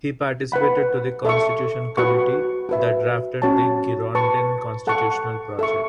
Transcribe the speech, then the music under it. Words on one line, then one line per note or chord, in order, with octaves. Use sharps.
He participated to the Constitution Committee that drafted the Girondin constitutional project.
B4 F#5 B5
A4 E5 C#6
F#4 B4 F#5 C#6
F#4 B4 E5
C#4 F#4 C#5 A5
B4 A5 C#6
A4 F#5 A5 C#6
A4 E5 C#6